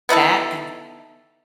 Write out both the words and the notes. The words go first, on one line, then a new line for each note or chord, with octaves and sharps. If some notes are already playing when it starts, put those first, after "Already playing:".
That and
B3 D#4 E4 A4